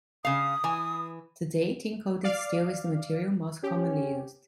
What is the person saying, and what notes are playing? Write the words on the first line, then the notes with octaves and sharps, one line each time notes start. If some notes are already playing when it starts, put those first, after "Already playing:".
Today, tin-coated steel is the material most commonly used.
C#3 F5 D#6
E3 G#5
D5 F5
C#4 G4